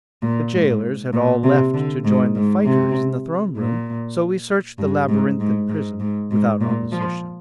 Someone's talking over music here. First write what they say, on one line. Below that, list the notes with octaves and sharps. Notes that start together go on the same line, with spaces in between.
The jailers had all left to join the fighters in the throne room, so we searched the labyrinthine prison without opposition.
A#2
G#2
A#2
C3
D3
G#2
G#2
C3
A#2
G2
G#2
G#2
G#2
G#2
G#2
A#2
F3